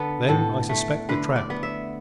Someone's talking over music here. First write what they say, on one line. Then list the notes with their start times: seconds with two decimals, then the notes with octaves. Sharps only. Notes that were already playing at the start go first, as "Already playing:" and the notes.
Then I suspect the trap.
Already playing: D3 B3 A4 B4
0.28 A2 A4
0.69 A3
1.09 D3 B4
1.36 D5
1.50 B3
1.63 E5